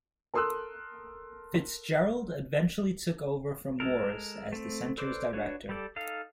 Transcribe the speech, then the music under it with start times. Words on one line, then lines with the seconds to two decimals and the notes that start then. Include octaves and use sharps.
FitzGerald eventually took over from Morris as the center's director.
0.34 A4 A#4 C6 D#6 E6 F#6
3.80 G#3 A4 A#4
4.53 A3 C4
4.98 A4 B4 C5 D5 D6
5.33 D4 F#4 B4 C#5
5.69 G3 G4 A4 D5
5.96 D#4 A4 F5